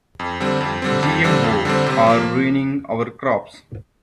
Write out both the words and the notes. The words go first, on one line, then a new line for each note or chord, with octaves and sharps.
GMO are ruining our crops.
F2
D3 G3 C4
F2
D3 G3 C4
F2
D3 G3 C4
F2
D3 G3 C4
C3
F3 A#3